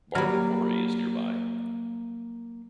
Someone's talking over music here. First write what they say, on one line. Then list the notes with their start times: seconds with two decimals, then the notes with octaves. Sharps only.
Bardon Quarry is nearby.
0.15 F#3 G3 A#3 F6